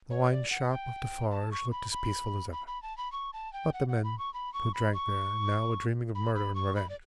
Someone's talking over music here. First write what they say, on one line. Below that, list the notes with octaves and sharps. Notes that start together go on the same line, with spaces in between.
The wine shop of Defarge looked as peaceful as ever, but the men who drank there now were dreaming of murder and revenge.
C#5
D5
F#5
G5
A5
C#6
B5
B5
B5
B5
A5
B5
C#6
A5
G5
F#5
F#5
B5
C#6
B5
C#6
B5
C#6
B5
B5
C#6
B5
D5